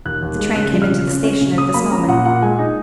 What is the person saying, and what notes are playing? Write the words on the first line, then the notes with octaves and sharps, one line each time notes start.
The train came into the station at this moment.
D#2 F#6
D#2
G#3
C#3 F#6
F3
F6
C#3
C#4
C#4
C#3
F#3 D#6
A#3 B5
C#4 A#5
A#2 F#5
A#2 F#5
G#3 G#5
D#4